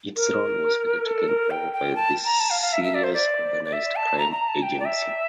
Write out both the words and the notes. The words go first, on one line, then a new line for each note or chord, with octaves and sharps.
Its role was later taken over by the Serious Organised Crime Agency.
A#4
A4
A#4
G5
G5
A5
A#5
A5
F5
F5
E5
E5
D5
C5
D5
D5
E5
A5
A#5
A#5
A5
G5
D5
E5